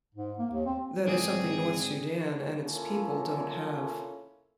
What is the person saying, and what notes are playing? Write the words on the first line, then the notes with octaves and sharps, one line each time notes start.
That is something North Sudan and its people don't have.
G#2
A#3
D#2
C4
G#1 G#2 D3 C4 G#4
A#3 C#4 E4 F4 A4